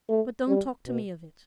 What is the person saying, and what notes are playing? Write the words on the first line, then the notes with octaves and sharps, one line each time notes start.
But don't talk to me of it.
A3
G3
B2